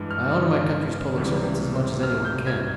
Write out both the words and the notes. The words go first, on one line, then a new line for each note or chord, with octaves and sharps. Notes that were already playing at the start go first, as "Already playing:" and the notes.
I honor my country's public servants as much as any one can.
Already playing: G2 E3 G#3
F6
C#2 C3 E3 G3
F6
G6
G#6